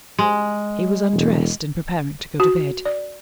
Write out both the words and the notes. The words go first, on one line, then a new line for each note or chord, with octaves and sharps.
He was undressed and preparing to go to bed.
G#3
E1
F#4
D5